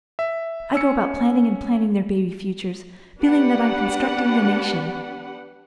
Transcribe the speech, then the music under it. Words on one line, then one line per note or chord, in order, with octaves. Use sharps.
I go about planning and planning their baby futures, feeling that I'm constructing the nation.
E5
C#4 E6 C#7
B3 D4 G4 B4 F#5